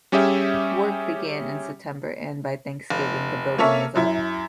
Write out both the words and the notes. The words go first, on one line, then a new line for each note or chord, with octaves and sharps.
Work began in September and by Thanksgiving the building was up.
G3 C#4 G4 G#4 E5
F1
A#3 C#4 A4 C#5 E5
F#2 E4